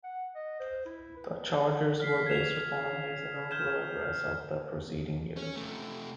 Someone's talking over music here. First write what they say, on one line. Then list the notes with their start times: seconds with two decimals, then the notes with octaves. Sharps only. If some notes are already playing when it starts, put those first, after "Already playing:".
The charges were based upon his inaugural address of the preceding year.
0.04 F#5
0.35 D#5
0.60 C5
0.86 E4
1.17 B4
2.00 F6 B6 C7
2.26 G#6 C7 E7 F7
3.51 F6 G6 G#6 E7
5.36 C#4
5.56 C3 A3